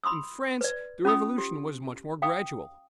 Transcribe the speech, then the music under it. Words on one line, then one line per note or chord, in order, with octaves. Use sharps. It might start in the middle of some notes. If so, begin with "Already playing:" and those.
In France, the Revolution was much more gradual.
B5 C6 D#6 E6
B4 D5
C#4 F4 B5 D#6
G4
F5 G5 D#6